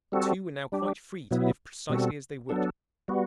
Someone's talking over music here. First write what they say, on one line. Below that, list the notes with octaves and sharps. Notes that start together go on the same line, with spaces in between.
The two were now quite free to live precisely as they would.
G3 C4 F#4 A4
G3 D4 G4
B2 F#3 B3 E4
B2 G3 C4 F#4 A4
F#3 B3 D4 A4
G3 B3 F#4